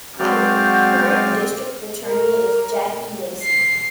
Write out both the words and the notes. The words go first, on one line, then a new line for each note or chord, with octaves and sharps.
The current district attorney is Jackie Lacey.
F#3 G#3 C4 F#4 D5 F5 G6
A#4
C7